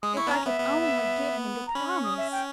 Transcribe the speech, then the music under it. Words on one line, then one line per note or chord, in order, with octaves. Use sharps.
"If I could only get him to promise!"
G#3 D#6
E4 C#6
B3
C#4 A#5
B3 E5
B3
A#5
C#4 B5
C#6
D#6
E5
G5